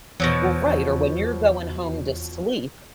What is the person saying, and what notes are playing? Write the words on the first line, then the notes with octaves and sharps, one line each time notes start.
Well, right, or when you're going home to sleep,
E2 B2 F3 F#3